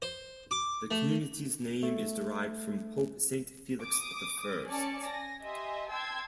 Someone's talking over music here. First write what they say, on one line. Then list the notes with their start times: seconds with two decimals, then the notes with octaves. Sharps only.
The community's name is derived from Pope Saint Felix the First.
0.02 C5
0.51 D6
0.91 A3
1.83 A3
3.83 D6 D#6
4.65 C#4 D5 G#5 A5 D6 C#7
5.07 G#5 A#6
5.41 G4 D#5 E5 G#5 C6
5.89 G5 A5 C6 E6 G#6 A6